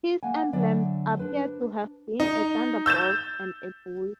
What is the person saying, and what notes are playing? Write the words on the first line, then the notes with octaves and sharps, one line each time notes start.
His emblems appear to have been a thunderbolt and a bull.
A#3 F#5 G#5
D3 F#3 D5 E5 G#5
D4 B4 C5
D#4
E6 G6 A6 E7